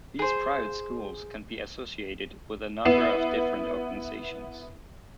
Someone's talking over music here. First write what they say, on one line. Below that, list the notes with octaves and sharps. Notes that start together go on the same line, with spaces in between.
These private schools can be associated with a number of different organizations.
G#4 C5
B3 E4 C7 E7